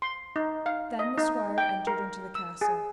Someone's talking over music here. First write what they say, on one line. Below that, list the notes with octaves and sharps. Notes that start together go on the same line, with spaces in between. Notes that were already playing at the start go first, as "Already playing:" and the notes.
Then the squire entered into the castle.
C6
D#4
F5
D#5
D#4
G5
A#4
E6
G#4